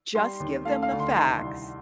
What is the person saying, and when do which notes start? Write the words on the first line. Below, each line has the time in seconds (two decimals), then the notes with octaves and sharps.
just give them the facts,
0.15 G3 C6
0.40 D#2
0.65 A3 F5
0.82 F5
0.91 D2
0.99 C6
1.16 D#3 C6
1.42 C2